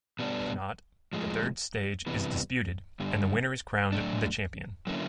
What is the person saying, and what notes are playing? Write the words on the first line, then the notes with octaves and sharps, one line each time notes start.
If not, the third stage is disputed, and the winner is crowned the champion.
B2 G3 B3 D4
A2 F3 G#3
C3 E3 G3 B3
G2 D3 G3
A2 F#3 A3 D4
D3 F#3 A#3 C#4 E4